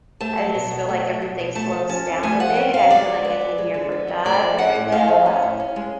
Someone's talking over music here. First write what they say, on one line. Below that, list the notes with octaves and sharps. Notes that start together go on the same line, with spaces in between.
I just feel like everything slows down a bit, I feel like I can hear from God very well, I'll
A3 A5
F#3
B2
B2
A3
F#3
B2
B2
A3 A5
F3
C#4 A5
F2
A3 G#5
F3 F#5
C#4
F2 F5
G#3 D5
D3
B3
F#2
G#3
D3
B3
F#2
A3 D5
F3
C#4 F#5
A2
A3 F5
F3
C#4
A2
C#4
G#3